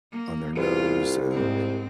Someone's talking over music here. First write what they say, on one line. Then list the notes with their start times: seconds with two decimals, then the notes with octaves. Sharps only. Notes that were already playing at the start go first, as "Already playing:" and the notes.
on their nose, and
0.12 A#3
0.57 C2 F4
1.32 G#2 C4